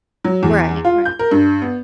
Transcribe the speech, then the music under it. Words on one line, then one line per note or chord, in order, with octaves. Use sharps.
Right, right.
F#3
E2
F4
G6
A#4
G2
B3